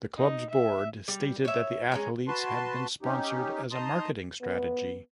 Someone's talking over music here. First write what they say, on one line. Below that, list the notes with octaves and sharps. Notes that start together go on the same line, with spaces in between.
The club's board stated that the athletes had been sponsored as a marketing strategy.
D#4
E5
G3
C#5 E5
G#3 C#4 A#4
F#4 B4 A5 C6
C#4 D#4 G4
D#4 A5 A#5 C6 D#6
B3